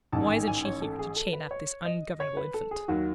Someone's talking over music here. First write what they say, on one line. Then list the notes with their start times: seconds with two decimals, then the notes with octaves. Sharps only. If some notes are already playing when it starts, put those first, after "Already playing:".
"Why isn't she here to chain up this ungovernable infant?"
0.12 A1 G#2 D#3 A5
0.30 G#5
0.48 G#5
0.65 C#5
0.82 A4
0.99 G#4
1.16 A4
1.33 B4
1.51 C#5
1.85 D#5
2.20 C#5
2.37 B4
2.54 A4
2.71 G#4
2.88 D#2 D#3 F#3 F#4